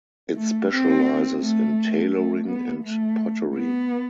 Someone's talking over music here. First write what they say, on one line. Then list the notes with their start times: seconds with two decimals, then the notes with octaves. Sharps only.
It specialises in tailoring and pottery.
0.35 A3
0.70 C4
1.41 A3
2.12 A3
2.48 B3
2.84 A3
3.55 B3